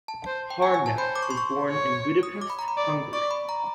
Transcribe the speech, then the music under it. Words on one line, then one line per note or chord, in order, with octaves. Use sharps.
Harnad was born in Budapest, Hungary.
A5
C5
G5
C#5 G#5
G#5
A5
C5 B5
D6
C#6
C6
C#6
C#5
D#6
D6
B5
A#5
B5
D5
D5 C#6
B5
A#5